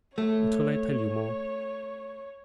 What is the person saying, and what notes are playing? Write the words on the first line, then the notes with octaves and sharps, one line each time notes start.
What shall I tell you more?
A3 C#5